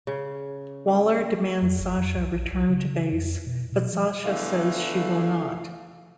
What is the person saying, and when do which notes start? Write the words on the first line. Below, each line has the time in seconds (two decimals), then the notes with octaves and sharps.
Waller demands Sasha return to base, but Sasha says she will not.
0.07 C#3
1.62 F2
1.80 G1
1.98 F2
2.17 C2
2.34 A#1
2.53 C2
2.69 C#3
3.13 F2
3.47 B2
3.72 B2
3.93 F3
4.25 E2 D3 E3 A3 F5